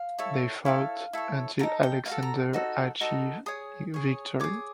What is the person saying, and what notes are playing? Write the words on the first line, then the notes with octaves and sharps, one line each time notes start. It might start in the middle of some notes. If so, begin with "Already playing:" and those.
They fought until Alexander achieved victory.
Already playing: F5
E4 A4 C#5
E4 A4 C#5 F5
E4 A4 C#5
D#4 F#4 A4 A#5
G5
D#4 F#4 A4 F5
A#5
D#4 F#4 A4
D#4 F#4 A4
G#4 C#5 D#6
G#4 C#5
G#4 C#5 D6